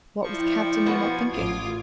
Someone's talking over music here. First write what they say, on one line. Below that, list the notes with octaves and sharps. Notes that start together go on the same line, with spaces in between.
What was Captain Nemo thinking?
F3 E4 D5 G5 C#6
B2 B3 G#6
A1 F4 D6 D#6